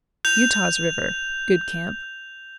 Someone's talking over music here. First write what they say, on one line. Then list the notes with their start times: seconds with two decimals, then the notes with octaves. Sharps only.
Utah's River.--Good camp.
0.25 G6 F7